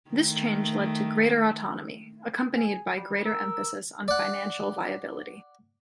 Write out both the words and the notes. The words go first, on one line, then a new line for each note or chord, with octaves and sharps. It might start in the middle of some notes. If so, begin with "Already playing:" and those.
This change led to greater autonomy, accompanied by greater emphasis on financial viability.
D#3 A3
G#4
G3
A#4 E6
D5 F#5